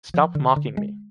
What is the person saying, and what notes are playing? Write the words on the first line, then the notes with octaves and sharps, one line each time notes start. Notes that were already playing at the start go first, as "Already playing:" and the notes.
Stop mocking me.
F3
D3
D3
G#3